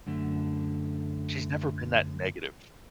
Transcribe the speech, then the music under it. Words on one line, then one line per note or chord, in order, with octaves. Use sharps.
She's never been that negative
F#2 D3 A3